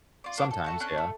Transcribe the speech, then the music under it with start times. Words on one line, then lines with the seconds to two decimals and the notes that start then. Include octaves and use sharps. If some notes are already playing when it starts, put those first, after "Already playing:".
Sometimes, yeah.
0.24 F4 D5
0.38 A#3 D4 F#5 D6
0.51 A4
0.64 A3 F#4 A4
0.80 C#4 D4 F#6
0.98 A3